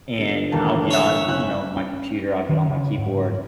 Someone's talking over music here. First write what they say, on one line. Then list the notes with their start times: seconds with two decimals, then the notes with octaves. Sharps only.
and I'll get on, you know, my computer, I'll get on my keyboard
0.18 G1
0.52 E1 D#2 A#3 A5
0.91 A2 C#5 E5
1.28 F#1 C#4 F#6
1.77 C#4
2.49 D#3
2.69 C#3
2.98 G#2